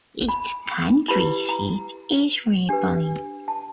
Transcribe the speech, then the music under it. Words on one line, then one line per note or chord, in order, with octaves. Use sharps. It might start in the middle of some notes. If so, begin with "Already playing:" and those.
Its county seat is Ripley.
B5
E4 G4 B4 B5
A#5
D4 G4 B4
A5